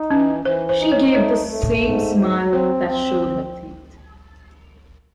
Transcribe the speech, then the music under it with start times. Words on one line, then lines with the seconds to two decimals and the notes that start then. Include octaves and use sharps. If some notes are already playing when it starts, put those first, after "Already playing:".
She gave the same smile that showed her teeth.
Already playing: D#4
0.11 E3 C#4
0.45 E3 C5
0.69 C5
0.80 D#4
0.92 C#5
1.15 A3 C#5
1.49 A3
1.84 G#2
2.19 F#3
2.53 C4 C5
2.88 C4